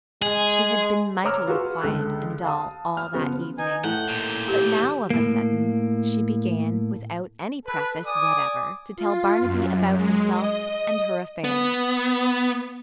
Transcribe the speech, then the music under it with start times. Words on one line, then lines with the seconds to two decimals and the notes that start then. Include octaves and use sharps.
She had been mightily quiet and dull all that evening, but now of a sudden she began, without any preface whatever, to tell Barnaby about herself and her affairs.
0.22 G#3 G#4
1.24 C#5 A#5 D6 E6 F6
1.47 F4 F#4 G#4 B4
1.82 C#2 D3 A4 F#6
2.45 F5 A5 D#6
2.97 F6
3.14 C#3 F3 B3
3.58 D#4 B4 G#5
3.84 A2 F#5 G6
4.08 D#2 A#2
4.48 G4
5.10 A2 A#3
7.66 A4 B4
8.05 D5 G#5 D6 D#6
8.96 F4
9.40 F#2
9.95 G#3
10.30 D#5
11.44 B3